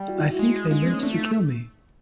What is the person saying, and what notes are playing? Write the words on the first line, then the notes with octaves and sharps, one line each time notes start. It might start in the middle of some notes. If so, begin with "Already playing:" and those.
I think they meant to kill me.
Already playing: G3
E4 F#4
D#4 F4
E4 F#4
G#3
G#3 D#4 F4
A#3 C4
B3 C#4
A3 C4 D4
D#4 F4